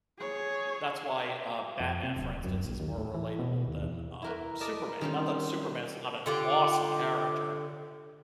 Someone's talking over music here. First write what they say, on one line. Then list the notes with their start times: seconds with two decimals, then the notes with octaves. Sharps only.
That's why, uh, Batman, for instance, is more relatable than, uh, Superman. Not that Superman's not an awesome character,
0.18 G#4 C#5
1.80 F2
2.03 C3
2.16 D1
2.44 F#2
2.65 A#1
2.80 D#2
2.98 A2
3.15 E3
3.39 B2
3.68 D#2
3.82 E2
4.22 E4 A#4 B4
4.61 A#4 D5 D#5 A5
5.01 D#3 G3 C4 C#4 D#4 F4
5.63 C5
6.26 D3 F4 G4